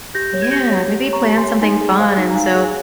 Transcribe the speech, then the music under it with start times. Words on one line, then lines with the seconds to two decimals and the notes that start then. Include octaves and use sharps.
Yeah, maybe plan something fun, and so
0.15 G4 G6 A#6
0.34 C#5
0.42 G#6
0.51 G4 G6 A#6
0.70 C#5
0.88 G4
1.07 C#5
1.13 A#5 C#6
1.25 G4
1.37 G#5 C6
1.43 C#5
1.62 D#4 G#5 C6
1.81 G#4
1.99 C5 F5 G#5
2.17 D#4
2.30 A#5
2.35 D#4 F5 G#5
2.54 G#4
2.63 G#5